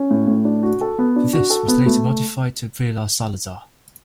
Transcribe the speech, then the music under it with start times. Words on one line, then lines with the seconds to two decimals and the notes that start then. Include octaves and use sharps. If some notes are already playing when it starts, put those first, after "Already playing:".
This was later modified to Vila Salazar.
Already playing: C#4
0.11 A2
0.27 A2
0.45 D4
0.63 F#4
0.81 A4
0.98 B3
1.16 D4
1.33 F#4
1.50 A4
1.68 B3
1.86 A3